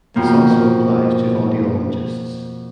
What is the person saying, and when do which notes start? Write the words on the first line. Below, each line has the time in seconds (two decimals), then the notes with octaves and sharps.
This also applies to Audiologists.
0.16 F2 B2 F3 A#3